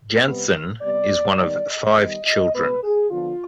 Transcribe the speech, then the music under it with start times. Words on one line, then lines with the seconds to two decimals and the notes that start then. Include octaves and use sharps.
Jantzen is one of five children.
0.24 C3 G3 B3
0.81 C3 G3 B3 D5
1.39 D#3 G3 B3 D5
1.68 D#5
1.96 D#3 G3 B3
2.25 D#5
2.55 B2 G#3 B3 B4
2.83 G#4
3.11 D3 F3 B3 F4